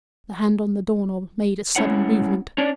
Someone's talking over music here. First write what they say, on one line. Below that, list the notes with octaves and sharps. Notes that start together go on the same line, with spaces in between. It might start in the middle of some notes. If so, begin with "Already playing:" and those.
The hand on the door-knob made a sudden movement.
G#3 C#4 E4 C#5 F#5
C#4 D4 C#5 D5